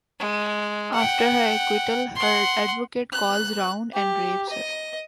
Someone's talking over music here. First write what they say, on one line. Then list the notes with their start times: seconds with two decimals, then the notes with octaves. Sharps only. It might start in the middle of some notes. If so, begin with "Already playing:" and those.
After her acquittal, her advocate calls round and rapes her.
0.19 G#3
0.94 F#5 G5
2.15 F#5 C6
3.13 F#6
3.94 G4
4.49 D#5